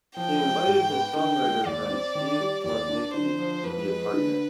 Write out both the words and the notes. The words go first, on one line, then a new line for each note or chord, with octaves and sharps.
He invited his songwriter friend Steve Plotnicki to be a partner.
F3 G5
G#3
G#2
B3
D3 G5
G#3
D#2 D5
C4
D#3
G3
D#2 D5
D4
D3 C5
F3
F2 B4
G#3
D3